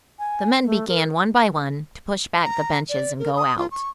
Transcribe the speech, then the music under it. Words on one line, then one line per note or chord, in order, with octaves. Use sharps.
The men began, one by one, to push back the benches and go out.
G#5
A3
A#4
A#5
D5
A#4
D#6
F4
C#6